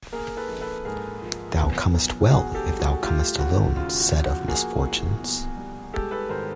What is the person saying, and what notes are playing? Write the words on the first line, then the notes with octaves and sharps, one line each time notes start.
Thou comest well, if thou comest alone said of misfortunes.
A#3 G#4 A#4
A4 B4
A#1
A4 B4
G#2 G#4 A#4
F3
B3
B1
B2 F#4 G#4
G4 A4
G3
F#4 G#4
A3 F4 G4
D#2 F#4
C#3 F4
F#4
F3
F#4
A#3 F#4 G#4
C2
B2
G3
G#3 G4 A4
A4 B4
G#1 A#4 C5